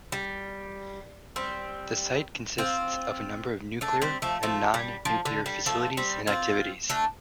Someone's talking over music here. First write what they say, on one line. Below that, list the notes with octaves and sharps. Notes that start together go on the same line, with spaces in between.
The site consists of a number of nuclear and non-nuclear facilities and activities.
G3
G3 C4
C4 F4
A3 D4
G3 C4
F3 A3
F3 A3
G3
F3
D3
G3
F3 A3
G3 C4
C4 F4
A3 D4